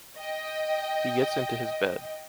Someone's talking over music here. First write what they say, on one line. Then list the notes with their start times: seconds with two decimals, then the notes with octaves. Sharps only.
He gets into his bed.
0.18 D#5 G5